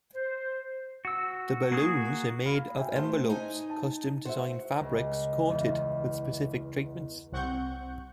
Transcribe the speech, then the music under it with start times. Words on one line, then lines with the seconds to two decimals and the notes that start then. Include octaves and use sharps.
The balloons are made of envelopes custom designed fabrics coated with specific treatments.
0.15 C5
1.05 F#4 E6
1.71 A#3 F#4 G#4 C#6 D#6
2.46 F5 B5 F6
2.79 E5 G5 G#5
2.96 A3 C5
3.30 D#4 G#5
3.70 A5
4.25 F#4 C5 E5
4.81 C#2
5.50 E2
7.32 C2 C4 F#5 C#6 G6